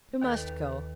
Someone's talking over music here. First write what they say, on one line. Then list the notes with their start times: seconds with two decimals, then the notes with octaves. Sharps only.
You must go.'
0.21 D#2 D#3 A4 B4